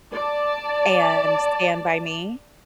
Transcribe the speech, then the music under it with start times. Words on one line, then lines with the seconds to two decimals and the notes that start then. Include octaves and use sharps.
and Stand By Me.
0.13 D5 A5